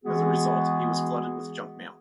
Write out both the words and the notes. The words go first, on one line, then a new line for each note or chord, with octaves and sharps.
As a result, he was flooded with junk mail.
E3 G#3 B3 F#4 G#4